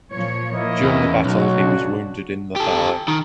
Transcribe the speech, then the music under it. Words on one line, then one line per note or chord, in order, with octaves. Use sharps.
During the battle he was wounded in the thigh.
A#2 F3 C#5
A#3 E4 D#5
E2 C#4
B1 A3 F#4
C#3 D4
G4 A4
D#3